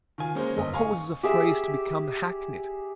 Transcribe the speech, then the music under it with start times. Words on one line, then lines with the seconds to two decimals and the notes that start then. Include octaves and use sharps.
What causes a phrase to become hackneyed?
0.18 D#3 F4 G#5
0.35 G#3 A#3 C#4 A#4 C5
0.57 G1 D#5
0.73 F5 G#5 C#6
1.23 G4 G#4 E5